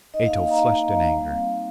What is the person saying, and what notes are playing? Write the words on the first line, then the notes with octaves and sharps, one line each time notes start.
Ato flushed in anger.
D#4 D#5
A#3 F5
F5
D#4 A#5
A#3 F5
A#3
A#3
G3
C4
D#4